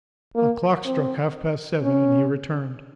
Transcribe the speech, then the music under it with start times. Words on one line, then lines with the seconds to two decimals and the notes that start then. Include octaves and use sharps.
A clock struck half-past seven, and he returned.
0.36 A#3
0.86 C4
1.83 C#4